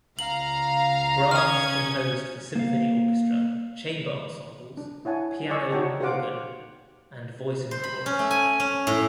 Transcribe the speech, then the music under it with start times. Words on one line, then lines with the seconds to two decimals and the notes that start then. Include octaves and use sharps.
Brahms composed for symphony orchestra, chamber ensembles, piano, organ, and voice and chorus.
0.19 C#2 F5 A#5 F#7
1.31 C#4 D#6 F6 G#6
2.55 A#3 F5
4.77 D4
5.05 E4 C#5 F#5 G#5 A5
5.50 D5 D#5 G#5 C#6 E6
5.71 D#4 F#4 C#5 G5 A5 C#6
6.00 F#4 G4 C5 F5 F#5 D6
7.71 C5
7.84 B5
8.06 C#4
8.19 A3
8.31 G#5
8.60 C#4
8.87 A2